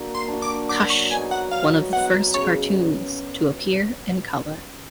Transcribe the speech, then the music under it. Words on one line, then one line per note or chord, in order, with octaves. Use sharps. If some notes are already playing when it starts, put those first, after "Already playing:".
Hush, one of the first cartoons to appear in color.
Already playing: A#3 D4 F#4
C6
D4 F#4
D6
F#3 D6
C#6
B3 D#4 G#5
F#5
F#3 F5
B3 D#4 F#5
C#3 C#5